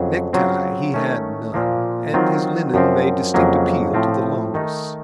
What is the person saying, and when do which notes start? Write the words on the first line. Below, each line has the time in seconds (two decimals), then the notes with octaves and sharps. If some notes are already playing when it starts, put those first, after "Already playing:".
Necktie he had none, and his linen made distinct appeal to the laundress.
Already playing: F2 C#3 F#3
0.33 C#3 F#3 C4 F4
0.94 D#3 A3 C#4
1.54 A#2 F3 A#3
2.14 D#3 F#3 C4 F4
2.74 F#2 F3 C4
3.34 F2 C#3 F#3 A#3
3.94 A2 F3 C4 F4
4.54 D#3 A3 D#4